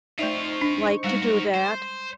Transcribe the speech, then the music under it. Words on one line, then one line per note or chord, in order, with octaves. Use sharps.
like to do that,
F2 A3 D#4 F4 C5 D5 E5 C#6
D4
G3 G#3 F#4 A#4
C5